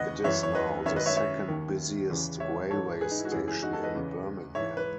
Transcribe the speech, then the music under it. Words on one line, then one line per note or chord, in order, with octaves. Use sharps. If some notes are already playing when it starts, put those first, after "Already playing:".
It is now the second busiest railway station in Birmingham.
Already playing: D#2 C#3 E3 B4 D#5 F#5
F#2 E3 C#5 E5
C#5
B4 D#5
F#2 D#3 C#5 E5
B4 D#5
C#5 E5
C#5 E5
D#2 D#3
E2 C#3 E3
C#5 E5
G#2 E3 A4 C#5
G#4 B4
D#4
E4
F#4
F#2 C#3 E3 E4 G#4
E4 G#4
D#4 F#4
F#4 A4
B4 D#5
E2 C#3 E3
G#2 E3 C#5 E5
B4